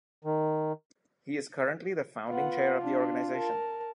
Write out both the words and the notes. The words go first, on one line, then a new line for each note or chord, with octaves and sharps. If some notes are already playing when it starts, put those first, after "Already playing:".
He is currently the founding chair of the organization.
D#3
B3 F4 F#5
D4
A#4 A5